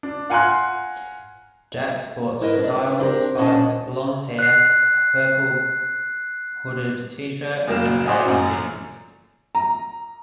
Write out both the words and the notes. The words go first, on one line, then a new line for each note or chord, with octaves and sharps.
Jak sports styled spiked blonde hair, a purple hooded T-shirt and baggy jeans.
D4
F5 F#5 G#5 A#5 C6 F#6
G#2 E4 A#4 B4 D#5
B3 D4
C4 D4 F#4 G4 A#4
D2 A#2 C#4 D4 D#5 A5
F#6 C7
F#1 F#3 A#3 F5 E7
F#4 C5 D5 D#5 G#5
A#1 F#2
A#5